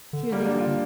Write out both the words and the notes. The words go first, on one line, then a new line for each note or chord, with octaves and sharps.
"Here they are."
D3
G3 A#3
A#3 D4
D4 F4